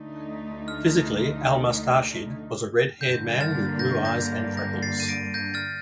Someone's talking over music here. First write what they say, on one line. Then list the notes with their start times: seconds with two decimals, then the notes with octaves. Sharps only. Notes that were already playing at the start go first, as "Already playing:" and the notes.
Physically, Al-Mustarshid was a red-haired man with blue eyes and freckles.
Already playing: D2 D3 A3 D#4
0.68 F6
3.01 G2 D3 G3 A#3 G6
3.40 F6 A6
3.79 G6 A#6
4.05 G6 A#6
4.57 G6 A#6
4.83 A6 C7
5.00 D#7
5.08 A#6 D7
5.34 G6 A#6
5.54 F6 A6